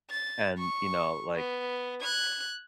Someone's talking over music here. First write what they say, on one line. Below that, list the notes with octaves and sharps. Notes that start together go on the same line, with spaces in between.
and, you know, like,
A6
C#6
B3
F#6 G#6